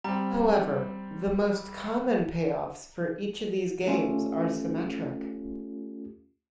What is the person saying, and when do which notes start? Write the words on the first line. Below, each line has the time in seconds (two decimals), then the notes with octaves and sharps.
However, the most common payoffs for each of these games are symmetric.
0.04 G3 C4 A#5
3.87 A3 C#4 F4 G4 A4